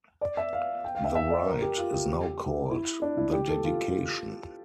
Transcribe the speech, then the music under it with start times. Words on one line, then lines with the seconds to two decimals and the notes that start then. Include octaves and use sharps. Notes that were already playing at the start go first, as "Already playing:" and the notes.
The rite is now called the dedication.
0.21 D5
0.37 E5
0.53 F5
0.84 G5
0.95 F5
1.04 E5
1.15 E5
1.30 D5
1.46 A#4
1.62 G4
1.77 F4
1.93 G4
2.71 E4
3.02 D4
3.17 E4
3.33 G4
3.49 A4
3.64 F4